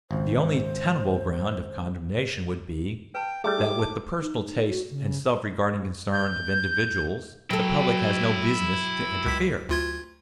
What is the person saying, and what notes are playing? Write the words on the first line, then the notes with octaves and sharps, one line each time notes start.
The only tenable ground of condemnation would be, that with the personal tastes and self-regarding concerns of individuals the public has no business to interfere.
G#1 C#2 C5
B4 G5 A5
G3 A3 E4 G#4 D6
D#4 F#4 A4
A5
D#4
F#4
C#3
G6
F#3 E4 A4 G5
C#2 B6
D2 F4 G#6